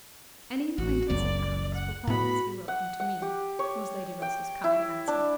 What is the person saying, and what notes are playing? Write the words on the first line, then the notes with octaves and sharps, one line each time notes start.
"Any acquaintance of Anne's will always be welcome to me," was Lady Russell's kind answer.
A1 F#4
F#1 C#2 F#2 D5
F#5
A2 B3 F#4 B5
F#5
F#5
G4
C#5
G5
E4
D4